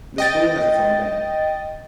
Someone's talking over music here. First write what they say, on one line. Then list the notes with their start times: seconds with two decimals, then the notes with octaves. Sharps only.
The school has its own band.
0.18 D#5 G5 A6